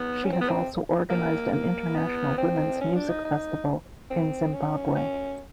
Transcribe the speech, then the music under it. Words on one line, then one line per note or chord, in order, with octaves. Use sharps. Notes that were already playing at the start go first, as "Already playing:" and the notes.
She has also organized an international women's music festival in Zimbabwe.
Already playing: B3
C#4
C4
B3
C4
A#3
A#3
B3
C4
C#4
D4
D#4
D#4
C4
C#4
C#4